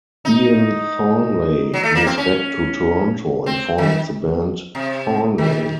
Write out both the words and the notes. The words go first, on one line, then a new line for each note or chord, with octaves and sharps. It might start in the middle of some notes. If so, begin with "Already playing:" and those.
Ian Thornley moved back to Toronto and formed the band Thornley.
D#4
F#3
A3
A#3
C4
C#4
C4
D#3
C3
D#3